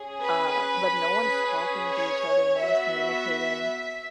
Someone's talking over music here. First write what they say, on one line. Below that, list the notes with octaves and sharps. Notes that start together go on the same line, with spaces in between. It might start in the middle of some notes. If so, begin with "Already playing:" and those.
uh, but no one's talking to each other, no one's communicating,
Already playing: C#4 G#4
B4
C#4 G#4
C#5
B3 F#4 E5